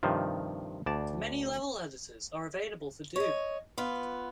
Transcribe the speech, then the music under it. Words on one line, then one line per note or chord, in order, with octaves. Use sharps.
Many level editors are available for "Doom".
G2 C3 D#3 F3
D2 D5 A5
C#5 D#5
B3 F4